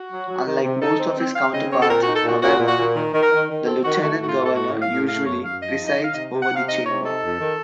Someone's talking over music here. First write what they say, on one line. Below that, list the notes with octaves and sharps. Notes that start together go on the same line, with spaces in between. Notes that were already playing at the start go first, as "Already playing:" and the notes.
Unlike most of his counterparts, however, the lieutenant governor usually presides over the chamber.
Already playing: F#4
F#3
F#3
D#3
C3
D#4 A4
C4
C4
C4 F5
C#3 D#5
C4 C#5
A4
A#2 A#4
D#4 F#4
A4
A#2 F#4
A#2 F#4
A#2
F#4
A#2
D#3
D#3
A#4
D#3
D#3
C4 A4
D#3 F#4
A3 F#4
A2 F#4
F4
A3
A4
A2 F#4
A2
F5
A2
A3 F5
F#2 C#5
F#2 F5
F3 D#5
D#4
D#5
D#4
F5
C3 D#5
C3
F#5
C3 F5
D#4 D#5
C3 C#5
D#4 A4
F2
D#3